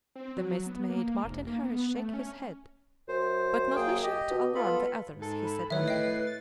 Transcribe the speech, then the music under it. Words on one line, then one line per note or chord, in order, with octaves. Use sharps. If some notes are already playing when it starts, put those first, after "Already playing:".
The mist made Martin Harris shake his head; but, not wishing to alarm the others, he said nothing.
C4
F#3
B3
A#3
F1
A#3
B3
A3
C#4
F#2 C5
A#3 G#4 G5
G4 D#5
B2
B3 F4 A4 B5
G#2
A4
B5
A2 D#3 B4 C#5 E5
D#5 G5 C7
A6